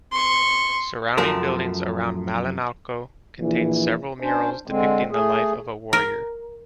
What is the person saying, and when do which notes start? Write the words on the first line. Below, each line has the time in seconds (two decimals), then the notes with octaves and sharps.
Surrounding buildings around Malinalco contained several murals depicting the life of a warrior.
0.12 C6 C#6
1.18 F#2 F3 A3 A#4
3.40 A#1 E3
4.20 C#4 D4 C5
4.67 D3 G#3 C4
5.11 A3 G#4
5.93 A#4